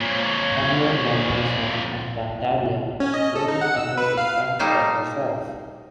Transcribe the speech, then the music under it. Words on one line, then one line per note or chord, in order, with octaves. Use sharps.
Emre likewise left Encantadia, leaving Ether to fend for herself.
F2 A#2 C#5
C#4
D#5
A4
D#4
F#5
E6
B4
F5
G3 A3 A#3 D#4 A#4 C5